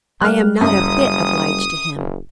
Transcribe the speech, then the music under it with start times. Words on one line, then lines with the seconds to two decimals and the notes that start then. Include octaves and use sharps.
I am not a bit obliged to him.
0.21 G3 A#3 F6 F#6
0.61 F#1 F#2 D#6
1.95 F#1